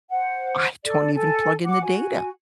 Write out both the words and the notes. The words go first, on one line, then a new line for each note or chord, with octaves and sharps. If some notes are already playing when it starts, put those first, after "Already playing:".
I don't even plug in the data.
C5 F#5
A4 D5
A4 G#5
F#5 D6
F#4 G#5